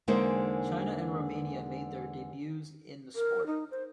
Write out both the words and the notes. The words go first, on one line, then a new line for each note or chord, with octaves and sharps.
China and Romania made their debuts in the sport.
E2 D3 G#3 A#3 D#4 C5
A#4
D#4
C5